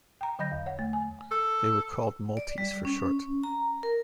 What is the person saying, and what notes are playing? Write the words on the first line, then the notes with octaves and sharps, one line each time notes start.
They were called "Multis" for short.
G5 A#5
D3 F#3 D#5 B5 G6 A#6
E2
C#5 F#5
A3
G#5
A4
D5
G3
C#4
A#5
A#4